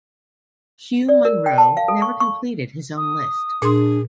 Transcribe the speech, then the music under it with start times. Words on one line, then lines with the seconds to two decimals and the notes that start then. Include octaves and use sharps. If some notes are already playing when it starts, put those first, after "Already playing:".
Hugh Munro never completed his own list.
1.09 D5
1.25 A#4
1.46 G5
1.58 A5
1.77 F5
1.88 A4
2.02 C#6
2.20 C#6
2.97 D#6
3.62 A#2 D4 G#4 C6